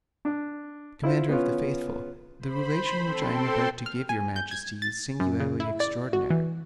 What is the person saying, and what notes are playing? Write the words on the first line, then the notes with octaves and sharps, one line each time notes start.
Commander of the faithful, the relation which I am about to give your majesty is singularly extraordinary.
D4
E4 F4 C5
B3 C#4 F4
C5 B5
C4 A4 G5 C6
F6
G#5
G6
G#6
A6
F#2
C#3
E4
D5
F#4
E3